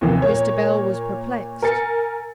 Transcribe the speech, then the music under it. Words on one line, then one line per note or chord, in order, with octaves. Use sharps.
Mr. Bell was perplexed.
D#2 C3 E3 F3 A#3
A#2 A#3 C#5
A#4 G#5 A6 C#7